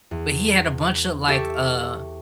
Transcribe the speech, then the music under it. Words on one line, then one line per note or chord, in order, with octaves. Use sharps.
but he had a bunch of, like, uh
E2
G4 A4 E5 G5 C#6